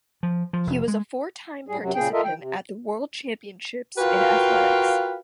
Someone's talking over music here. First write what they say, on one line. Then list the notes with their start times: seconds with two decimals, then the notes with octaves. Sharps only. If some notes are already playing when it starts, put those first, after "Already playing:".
He was a four-time participant at the World Championships in Athletics.
0.23 F3
0.53 F3
0.67 F1
0.88 G#3
1.68 A2 G3 G#4
1.80 F#2 C3 F#3
1.95 A#2 C#3 G#4 G5
2.13 F4 A4 A#4 D#5 E5
2.24 D#3 G5
2.39 C3
3.98 F4 F#4 A#4 B4 F5 G5